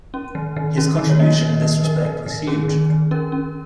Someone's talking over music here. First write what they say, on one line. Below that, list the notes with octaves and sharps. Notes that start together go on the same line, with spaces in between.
His contribution in this respect was huge.
C#4
D#3
D#3
C#4
D#3
C#5
A#3 D#5
D#3
A#3
D#3 A#4
D#3
D#3
C#4 G#4
D#3
D#3
C#4 A#4
C#4